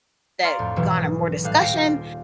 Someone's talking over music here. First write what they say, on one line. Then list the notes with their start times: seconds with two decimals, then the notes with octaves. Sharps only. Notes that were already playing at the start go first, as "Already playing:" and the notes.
that garner more discussion
0.43 C#5 D5 F5 A#5 C6 F6
0.59 F2 A2
0.76 B1 G#2 B2 E3 F#3 G#3
1.44 A2 G3 F5 F#6
1.59 D#1 F5 G5 A#6
1.75 G3 F4